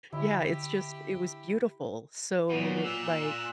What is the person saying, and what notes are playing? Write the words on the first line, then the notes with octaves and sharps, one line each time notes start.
Yeah, it's just it was beautiful. So, like,
D3 E4 G4
A#2 F#3 B3 F#4
E6 F#6